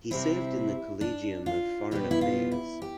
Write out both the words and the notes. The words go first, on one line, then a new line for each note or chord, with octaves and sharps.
He served in the Collegium of Foreign Affairs.
C3 G3 C4 E4
D4
F4
B2 G3 B3 G4
E4
F4
E4
G4